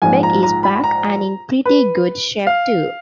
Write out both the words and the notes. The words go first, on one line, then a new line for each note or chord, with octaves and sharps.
Beck is back, and in pretty good shape too.
A#1 G#2 F3 G#5
A#5
A#5
B5
A#5
B4
F5